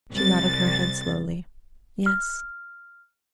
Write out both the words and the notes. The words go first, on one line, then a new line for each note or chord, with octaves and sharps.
She nodded her head slowly: "Yes."
C2 A6
F6